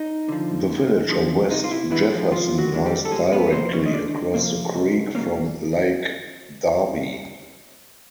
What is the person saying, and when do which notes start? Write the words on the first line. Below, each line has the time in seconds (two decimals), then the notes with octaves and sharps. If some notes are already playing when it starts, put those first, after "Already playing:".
The village of West Jefferson lies directly across the creek from Lake Darby.
Already playing: D#4
0.29 D3 F3
0.69 D2
1.09 D3 F3
1.50 C3 D#4
1.64 F4
1.71 E4
1.90 E3 G#3 B3 D4 E4
2.11 F3 F4
2.32 C3 F3 F4
2.58 F#3 F#4
2.72 E3 G#3 B3 D4
2.86 G3 G4
3.05 A4
3.12 C#2 G#3 G#4
3.32 B3 B4
3.52 C3 F3 A#3 C4 C5
3.73 C#4 C#5
3.86 D#5
3.93 C#2 D4 D5
4.34 C3 F3 A#3
4.75 C#2
5.15 B2 F#3 A#3 C#4